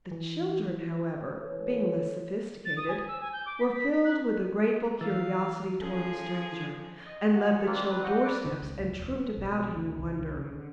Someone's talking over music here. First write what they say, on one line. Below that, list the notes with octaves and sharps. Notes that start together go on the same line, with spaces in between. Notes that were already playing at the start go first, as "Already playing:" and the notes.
The children, however, being less sophisticated, were filled with a grateful curiosity toward the stranger, and left the chill door-steps and trooped about him in wonder.
E3
E3 A4 B4 C#5
A6
D#6
G#5
E6
G#5
G6
D6
B6
B6
B6
F#6
E3 F5 E6 A6
F3 C#4 G#4 A4
D#5
F#3 F#5
A#3 C4 D4 F4
C4 D4 B4
F#4 D#5 F#5 G5
D4 A4 B4 D6
C#3
C#2
C#2
E1
B3
B1
B2
D2
C2
C2
C#3
D3